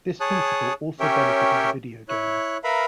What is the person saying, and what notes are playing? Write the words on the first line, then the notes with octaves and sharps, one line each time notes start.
This principle also benefited the video games.
G#4 C#5 A5 D#6 F#6
C#4 G4 A#4 C#5 E5 G5
E4 C#5 F#6
A#4 B4 E5 F5 A#5 B5